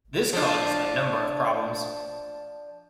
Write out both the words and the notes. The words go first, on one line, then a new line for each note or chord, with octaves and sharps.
This causes a number of problems.
F3 D4